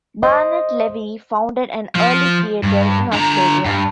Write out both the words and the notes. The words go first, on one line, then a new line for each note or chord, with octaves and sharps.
Barnett Levy founded an early theatre in Australia.
C5 D#5
F3
G2
D3 A#5
G2